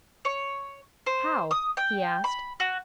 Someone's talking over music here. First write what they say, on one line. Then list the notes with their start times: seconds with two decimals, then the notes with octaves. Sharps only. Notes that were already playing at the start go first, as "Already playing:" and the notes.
"How?" he asked.
0.25 C#5
1.06 C5
1.51 D#6
1.77 G5
2.24 B5
2.60 F#4